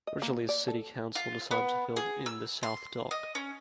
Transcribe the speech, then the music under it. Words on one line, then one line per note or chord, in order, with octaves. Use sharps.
Originally the city council decided to fill in the South Dock.
D#5
A#3
D5
A4
F4
B3
G#4
E6
C6
D#5
C#4